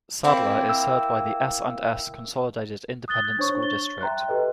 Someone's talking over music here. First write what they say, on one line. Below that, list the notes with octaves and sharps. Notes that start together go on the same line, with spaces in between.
Sadler is served by the S and S Consolidated Independent School District.
A#3 C4 E4
E6
D#6 F#6 A6 G7
G#6 A6
D4 C5 C#5 C#6
A6 G7
E5 G5 A#5 C6 F#6
G4 A4 B4 D#5